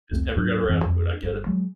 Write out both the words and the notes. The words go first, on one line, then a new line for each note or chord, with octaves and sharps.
Just never got around to it, I get it.
F1 C#2 A3 C4
D2 G#2 F#3 D4
D#1 F#2 E3 C4
F2
G1 G2
F#3 G#3